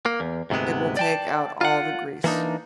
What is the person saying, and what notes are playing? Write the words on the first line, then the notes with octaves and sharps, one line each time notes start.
It will take out all the grease.
A#3
E2
D2 G#2 C3 G#3 B3
D5 G5 A5
F4 F#5
E3 A#3 D4 D#4